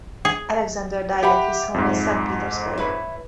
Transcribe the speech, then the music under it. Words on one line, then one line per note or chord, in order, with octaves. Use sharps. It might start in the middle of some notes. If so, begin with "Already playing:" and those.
Alexander died at his home in Saint Petersburg.
G#4
G4 E5 F#5 B5
F2 G#2
E4 B4 C#5